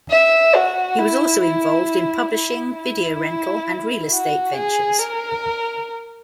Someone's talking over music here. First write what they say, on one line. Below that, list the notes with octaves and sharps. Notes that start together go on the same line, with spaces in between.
He was also involved in publishing, video rental, and real estate ventures.
E5
F#4
E4
E4
E4
E4
F#4
G#4
A#4